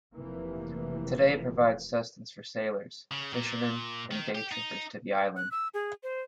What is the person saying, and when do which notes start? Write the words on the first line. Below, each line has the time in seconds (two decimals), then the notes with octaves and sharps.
Today it provides sustenance for sailors, fishermen and day-trippers to the island.
0.15 F1 C3 E3 F3 A#3
3.11 C#3
3.33 A#2
4.11 D#3
4.35 G4
4.52 D#4
5.37 F#6
5.51 E6
5.74 G#4
6.03 C5